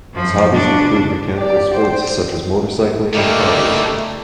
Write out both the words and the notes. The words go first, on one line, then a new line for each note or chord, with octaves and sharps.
His hobbies include mechanical sports, such as motorcycling and car racing.
F#2 F3
C#3 D4
G4 D5
C5 G5
G2 A#2 C#3 G3 A3 A#3 D#4 D5